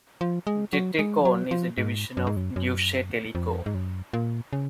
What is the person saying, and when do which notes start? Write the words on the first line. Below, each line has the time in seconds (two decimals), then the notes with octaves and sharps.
Detecon is a division of Deutsche Telekom.
0.21 F3
0.47 G#3
0.73 F#3
0.99 G#3
1.20 F3
1.25 F#3
1.51 F3
1.78 G#2
2.17 F#2
2.27 G#2
2.37 F#2
2.56 F#2
3.35 F2
3.66 G#2
3.75 F#2
4.13 A#2
4.53 C#3